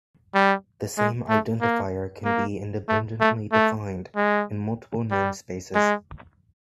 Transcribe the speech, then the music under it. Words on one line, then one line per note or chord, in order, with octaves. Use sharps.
The same identifier can be independently defined in multiple namespaces.
G3
G#3
A3
A#3
A#3
A3
A3
A3
G#3
G3
G#3